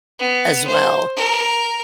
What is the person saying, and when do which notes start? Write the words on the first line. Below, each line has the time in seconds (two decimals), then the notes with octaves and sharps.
as well.
0.19 B3
0.67 C5
1.16 A#4